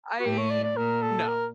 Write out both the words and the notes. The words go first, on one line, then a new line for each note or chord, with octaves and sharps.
I no.
F#4
A2 G4
C#5
D5
D5
A#2 A#4
A4
A#4